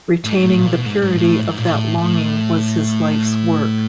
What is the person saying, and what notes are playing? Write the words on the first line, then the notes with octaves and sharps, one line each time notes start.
Retaining the purity of that longing was his life's work.
A2
G#2
A2
A#2
B2
G#2
G#2
A2
G#2
A#2
A2
A2